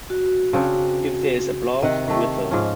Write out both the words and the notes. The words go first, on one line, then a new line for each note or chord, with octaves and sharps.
If there is applause, whistle.
F#4
C#3 C4 D4
C3 D#3 D#5 F#5
D#3 A3 G4
G#2 F3 C#4